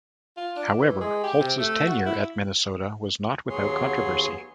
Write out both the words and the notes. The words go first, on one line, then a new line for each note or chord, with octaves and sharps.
However, Holtz's tenure at Minnesota was not without controversy.
F4
D4
E3
G#3
G4
C3
A3
F#4
E4
D#2 F#3 B3 G#4 C#5 C6